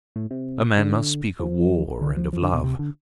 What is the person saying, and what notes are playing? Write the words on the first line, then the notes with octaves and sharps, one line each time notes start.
A man must speak of war and of love.
A2
C3
D3
F3
D3
F3
F3
D3
B2
C3
D3